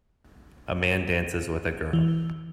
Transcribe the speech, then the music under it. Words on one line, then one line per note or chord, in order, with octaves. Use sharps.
A man dances with a girl.
E3